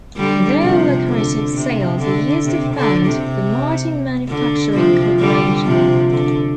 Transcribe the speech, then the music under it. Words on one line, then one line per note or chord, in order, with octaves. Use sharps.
Their lucrative sales were used to found the Martin Manufacturing Corporation.
D3 G3
C3 F3
D3
C3
D3
C3
D3
C3
D3
C3 F3
D3 G3
C3 F3
D3